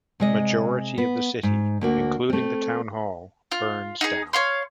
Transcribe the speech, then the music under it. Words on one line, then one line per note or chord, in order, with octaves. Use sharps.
Majority of the city, including the town hall, burns down.
C3 G#3 D#5
B3
G#2
D2 A#3 F#4
A3 C4
F4
D#4 F4 G#4
C#5 F5 C6